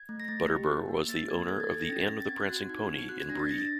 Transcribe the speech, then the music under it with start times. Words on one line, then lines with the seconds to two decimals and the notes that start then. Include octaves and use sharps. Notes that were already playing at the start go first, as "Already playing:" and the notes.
Butterbur was the owner of the Inn of the Prancing Pony in Bree.
Already playing: G#6
0.09 A3
0.20 A#6
0.28 A3 A6
0.49 G4
0.69 A#3
0.88 A#3
1.08 A#3 A6
1.29 A#3 G#6
1.49 A4 G#6
1.60 A6
1.69 A4 G#6
1.82 A#6
1.89 C#4 A6
2.10 C#4
2.20 A6
2.29 C4 G#6
2.49 F#4 F#6
2.69 D#4 G#6
2.89 C4
3.09 F#4 F#6
3.20 G#6
3.30 D4 A#6
3.39 A6
3.49 D4 A#6
3.58 A6